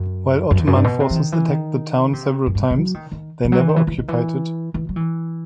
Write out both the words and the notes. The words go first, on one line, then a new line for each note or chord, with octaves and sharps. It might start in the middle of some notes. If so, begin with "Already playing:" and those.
While Ottoman forces attacked the town several times, they never occupied it.
Already playing: F#2
F#2
E2
F#2
G2
B2
C3
E3
D#3
E3
D#3
C3
F#2
G2
C3
F#3
D#3
D#3
E3
F#3
E3
D#3
E3
E3
D#3
E3
E3
F#3
E3